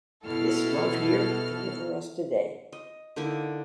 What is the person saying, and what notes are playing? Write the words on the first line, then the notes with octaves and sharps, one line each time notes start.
This love here deliver us today.
B2 E4 A4 F6
D#5
D3 A#3 D#4 E4